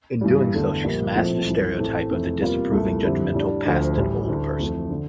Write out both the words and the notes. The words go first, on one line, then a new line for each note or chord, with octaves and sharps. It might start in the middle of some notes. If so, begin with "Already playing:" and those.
In doing so she smashed the stereotype of the disapproving, judgmental, past-it, old person.
G2 E3 G3
E2 D3 A3
A#1 A#2 G3 A#3
A#1 A2 F3 A3 C4
C2 C3 E3
A1 A2 E3 A3 C4
F1 F2 E3 A3
E2 C3 G3 A#3 F4
C2 A#2 A3 E4
F2 D3 G3 C4 E4
A2 G3 D4
D2 D3 F3
A1 A2 G3
D2 D3 A3 E4
F2 E3 A3
D3